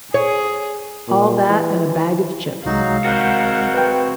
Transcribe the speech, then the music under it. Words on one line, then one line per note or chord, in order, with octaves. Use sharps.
All that and a bag of chips.
G#4 C#5
A#2
E3
C2 F#3 G#3 D#4 F#4 F5
C4 F#4 A#4 F#5
B4 G5